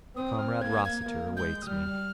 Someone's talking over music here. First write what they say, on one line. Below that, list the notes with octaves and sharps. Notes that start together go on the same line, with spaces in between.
Comrade Rossiter awaits me.'
C4 D#6
F6
A#3 G#6
G#6
A#3
G#3 G6
D#6
G3 F6